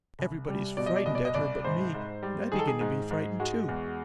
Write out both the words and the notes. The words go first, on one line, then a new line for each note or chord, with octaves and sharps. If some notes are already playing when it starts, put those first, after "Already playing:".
Everybody is frightened at her but me, and I begin to be frightened too.
C2
G3
B2 D5
D#5
D5
C2 D#5
D5
D#5
C2 D5
G#2 C5
G#2
G3
D#3 G#4
A4
G#4
G#2
G#2
G#3 F#4
E2